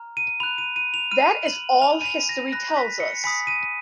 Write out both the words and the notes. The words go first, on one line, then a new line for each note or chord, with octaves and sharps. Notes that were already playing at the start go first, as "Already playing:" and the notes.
That is all history tells us.
Already playing: A#5 F6
D#7
B5 F#6 F7
D#7
D#7
F7
B5 F6 D#7
F#7
G#5 B5 F6 F7
D#7
F7
A#6
B5 F#6 A#6
B6
C#7
G#5 B5 D#6 B6
D#7